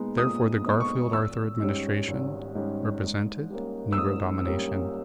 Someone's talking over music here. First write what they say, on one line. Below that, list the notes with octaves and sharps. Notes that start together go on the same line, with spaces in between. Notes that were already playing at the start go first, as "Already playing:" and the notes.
Therefore, the Garfield-Arthur administration represented "Negro Domination."
Already playing: A#2 G#3 B3 D#4
A#2 D#6
G#3 B3 D#4
C#6
G#1 E6
G#2 G3 C#4
G#1
G#2 G3 C#4
G#2
G3 A#3 C#4
E6
G#2 D#6
G3 A#3 C#4